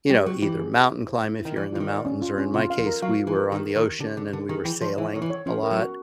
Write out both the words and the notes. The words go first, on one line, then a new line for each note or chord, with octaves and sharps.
you know, either mountain climb, if you're in the mountains, or in my case, we were on the ocean, and we were sailing, a lot,
G3 G4
F#3 G4
E3 G4
G#4
E4
E4
C5
E4
E4
D#3
E3 D5
E3 F4
D#3
D5
C#4
F4
C#4
C3 F4
F5
F3
A#4
F#3 F5
F4
E3
A#4
D#3 G4
A#4
D#3
A#4
D3 G4
D3 D4
D3 A#4
D#3 G#4
E3 G5
F3 C#5
E3 E5
D#3 C#5
E3
C#5
F3 C#4
A#4
F#3
F#4